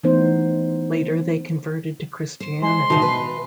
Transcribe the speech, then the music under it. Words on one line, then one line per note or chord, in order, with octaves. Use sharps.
Later they converted to Christianity.
E3 A3 B3 D#4 C5
C5
G#3 C6
E2 B2 D#3 D#4
B4